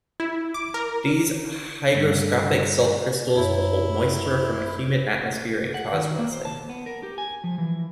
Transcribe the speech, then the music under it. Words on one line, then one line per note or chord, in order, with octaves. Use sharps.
These hygroscopic salt crystals will hold moisture from a humid atmosphere and cause rusting.
E4
D6
A#4
G2 D3 A3
F#2 E4 C#5
F#5
D#3
A#3
C5
A5
B3
A#4
G4
G#5
F3
E3